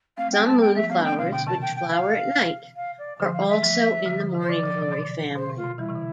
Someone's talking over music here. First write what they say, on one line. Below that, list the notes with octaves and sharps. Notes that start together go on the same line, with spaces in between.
Some moonflowers, which flower at night, are also in the morning glory family.
A3 C4 F5
G3 B3 G5
A3 C4
G3 B3 A5
G3 B3 G5
F3 A3 E5
G3 B3 F5
D4
A3 C4 G5
B2 D3 F5
B2 D3 G5
C3 E3 A5
G5
G5
F5
F5
D5
D3 F3 C5
F5
E3 G3
E5
F3 A3
D3 F3
D3 F3
C3 E3
C5
D3 F3 D5
D3 F3
C3 E3
B2 D3
B2 D3 C5
C3
F4
B2
E3 G3 E4
C3 E3
D3